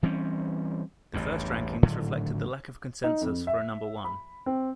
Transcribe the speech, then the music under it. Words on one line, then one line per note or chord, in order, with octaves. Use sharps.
The first rankings reflected the lack of consensus for a number one.
E3 G3 C4 C#4
A1 E2 G2
G#1 A2 D3 F#3
D#4
F2
E5
B5
C4